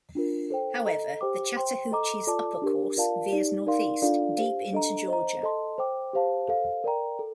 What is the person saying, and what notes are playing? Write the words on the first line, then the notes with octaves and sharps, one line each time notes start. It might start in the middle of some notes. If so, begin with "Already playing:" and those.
However the Chattahoochee's upper course veers northeast, deep into Georgia.
D4 F4 A#4
A4 C5 G5
A4 D#5 A#5
G4 C5 G5 D6
C5 G5 C6
A4 D#5 A#5 D6
F4 A4 D5 A5 D6
D4 G4 A#4
F4 A#4 D5 F5 A5
D#4 G4 D5
D#4 A#4 D5 F5 C6
D4 F4 A4 D5 F5
G4 C5 F5
D4 A4 D#5 A#5
C5 D#5 A#5
A4 D#5 A5 C6
C5 G5 D6
G4 C5 F5 A5
A4 C5 F5
A#4 D5 G5 A#5
A4